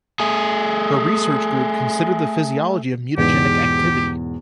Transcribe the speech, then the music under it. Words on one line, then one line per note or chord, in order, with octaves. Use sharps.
Her research group consider the physiology of mutagenic activity.
A3 G#4
E2 G#2 B2 G4